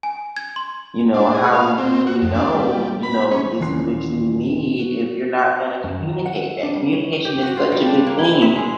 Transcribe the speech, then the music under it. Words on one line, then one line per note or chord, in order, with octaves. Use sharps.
you know, how will you really know, you know, this is what you need if you're not gonna communicate that, communication is such a big thing
G#5
G#6
C6
D4
G#4
F5
C4
F#4
F2
D4
G3
B5
C#4
D#1 E3 C#4 C6 C7
F#4
F#2
D#3
A#5
F#5
E5
D4
G3
C#5
G4
F#4
F4
G3
D4
A#3
E4
E5
G#3